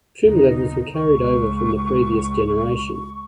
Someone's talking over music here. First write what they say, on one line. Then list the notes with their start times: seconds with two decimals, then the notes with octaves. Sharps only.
Trim levels were carried over from the previous generation.
0.24 D#2 C#3 B3 D#4
0.94 C#2 C#6